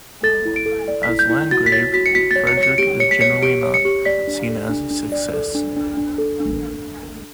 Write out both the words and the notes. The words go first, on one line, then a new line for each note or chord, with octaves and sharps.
As Landgrave, Frederick is generally not seen as a success.
A4 A6
E4
D7
A4
D5
B6
E4
G6
E4
F#4 A6
B6
C#5 A6
F#4 B6
C#7
F#4 B6
A6
C#5
C#7
C#5
C#7
G4 D7
C#5 C#7
B6
C#5 C#7
G4 D7
C#5
C#7
G4
D5 B6
D4
A4
D4
D4
D5
A4
D4
D4
D4
A4
D4